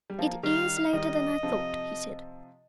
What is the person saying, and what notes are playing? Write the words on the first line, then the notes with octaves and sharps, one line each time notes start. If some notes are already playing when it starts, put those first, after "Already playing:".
"It is later than I thought," he said.
G3
F3 A#3
D#3 G3 F5
D#3 G3 D#5
C3 F3